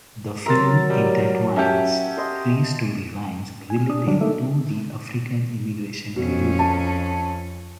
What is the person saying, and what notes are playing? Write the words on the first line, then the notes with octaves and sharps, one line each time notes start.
The film intertwines three storylines related to the African immigration to Europe.
F#3 A#4 A#5 C6 E6 A6
G3
C#4 G4 E5 F#5 A5
D#5 C6
G#5
B2 D4 D#6
D3 F#3 G3 D4
A3 A#3 D#4 A4 E5
F2 B2 C#4
A5